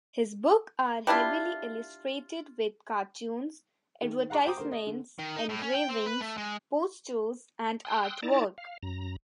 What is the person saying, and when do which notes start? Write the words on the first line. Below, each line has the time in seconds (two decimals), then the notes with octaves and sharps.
His book are heavily illustrated with cartoons, advertisements, engravings, posters and artwork.
1.07 G3 D4 E4 F4
4.02 D#3
4.30 F5 F#5 A#5 C#6 D6
4.46 C5 G5 A#5 C6 D6 D#6
4.57 D3 A#3 A#4 C5
4.72 D#5
4.87 D3
5.19 D#3
5.37 D#4
5.50 A2
5.62 C#4
5.75 G5
5.89 C4
6.07 B4
6.21 A3
6.38 G#3
7.85 G5 C6 D#6 E6 F#6
8.23 D#4 E4 D5 A5 A#5
8.58 F5
8.83 F#2 A#5